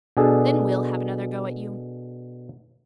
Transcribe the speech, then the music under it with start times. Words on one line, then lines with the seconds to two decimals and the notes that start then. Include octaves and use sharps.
Then we'll have another go at you.
0.17 B2 D4 G#4 A4